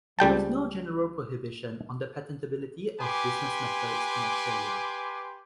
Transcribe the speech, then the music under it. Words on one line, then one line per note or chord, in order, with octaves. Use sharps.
There is no general prohibition on the patentability of business methods in Australia.
C#2 G3 G5 A5
G4 B4 G#5 C6 D6